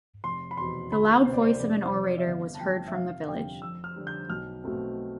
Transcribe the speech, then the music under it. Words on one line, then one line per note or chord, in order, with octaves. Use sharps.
The loud voice of an orator was heard from the village.
F1 C6
B5
E2 B2 C6
D2 B5
C3 G3 B3 C5
D5
C5
F1 D5
C5
F2 C3
D5
E5
G1 F5
A5
G2 F3 G5
E5
F1 F5
F2 D3 G3 G5
F2 E6
F6
D3 G3
G6
B1 F6
B2 A3 C4